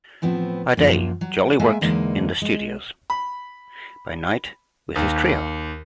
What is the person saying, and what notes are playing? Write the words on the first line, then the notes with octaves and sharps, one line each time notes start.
By day, Jolly worked in the studios; by night, with his trio.
A2 F3 B3 C4
F#2 F3 A#3
F#3
G#3 A#3 E5 G#5
E2 D3 G#3 A#3 D#4
G#3
B5
D#2